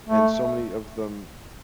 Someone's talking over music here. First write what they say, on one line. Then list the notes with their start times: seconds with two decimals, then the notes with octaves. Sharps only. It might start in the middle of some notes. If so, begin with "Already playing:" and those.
and so many of them
0.08 A3